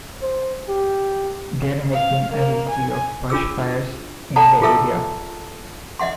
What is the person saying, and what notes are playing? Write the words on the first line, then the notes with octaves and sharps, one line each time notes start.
There has been a history of bushfires in the area.
C5
G4
F5
A#3
G#5
D4 F4 G#4 E6
A4 D5 F#5 A5 A#5
F4 G#4 A4 E5 E6
D#5 E5 F#5 C6